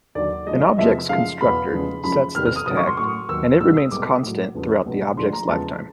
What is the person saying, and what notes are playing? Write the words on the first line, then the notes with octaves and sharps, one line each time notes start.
An object's constructor sets this tag, and it remains constant throughout the object's lifetime.
D#2 D3 F#3 D5
F#2 D3 F3 G#3 D#5
E2 C3 F3 G#3 E5
F#2 C#3 F3 G#3 F5
E2 B2 F#3 B5
E2 C#3 F3 G#3
F#2 C#3 F3 G#3 B5
E2 C3 D#3 G3 F6
F6
D#6
F#2 D#3 F#3 D#6
C#6
C6
A2 F#3 C#6
D#2 D#3 F#3 E6
C2 B2 G3 E6
D#6
C2 B2 G#3 D6
A2 F#3
E2 C#3 F3 G#3
C#2 B2 F#3
D2 D3 F3 G#3 C6
A#5
E2 C#3 F3 G#3 A5